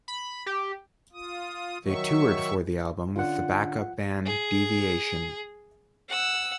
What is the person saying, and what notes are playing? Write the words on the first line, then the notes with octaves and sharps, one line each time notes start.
They toured for the album with the backup band Deviation.
B5
G4
F4 D#6
D#3 F#3 E5 C#6
D3 C#4 D4 F4 F#5
G#4
F#5 E6